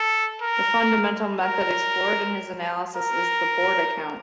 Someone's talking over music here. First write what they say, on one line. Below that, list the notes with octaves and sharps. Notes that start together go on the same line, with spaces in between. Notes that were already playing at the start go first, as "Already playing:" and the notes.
The fundamental method explored in his analysis is the Borda count.
Already playing: A4
A#4
A#4
A#4